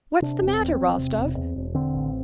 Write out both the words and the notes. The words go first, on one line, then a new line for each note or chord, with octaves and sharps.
What's the matter, Rostov?
C3 D4
E1
C4
E2
C4
E1
C3
E1
E2
E1
D3 C4
A1